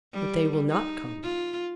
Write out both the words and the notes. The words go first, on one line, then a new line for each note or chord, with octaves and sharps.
"But they will not come."
G3
D#4
F4